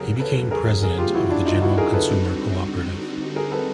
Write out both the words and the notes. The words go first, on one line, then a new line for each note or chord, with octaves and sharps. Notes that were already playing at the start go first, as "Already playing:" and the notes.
He became President of the General Consumer Cooperative.
Already playing: E2 C#3 F#3 G4 G#4 A#4
A4 B4
G#4 A#4
G#4 A#4
F4 G4
E4 F#4
D4 E4
D#4 F4
E4 F#4
G#4 A#4
A4 B4
D3 G3 C4 D#4 F#4
G#4 A#4
A4 B4